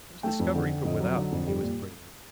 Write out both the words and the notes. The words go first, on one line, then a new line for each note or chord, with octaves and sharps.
It was discovery from without that he was afraid of.
A3 G5
F2
D3
D3
F2 D#5
F#3
D3
F2
G3
A#2